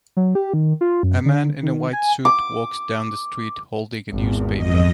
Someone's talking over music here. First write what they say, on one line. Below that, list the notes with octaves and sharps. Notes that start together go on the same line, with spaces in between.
A man in a white suit walks down the street holding a newspaper.
F#3
G4
D#3
F4
F#2
D3
D#3
G#5
D6
G#1 E2
F2 D#5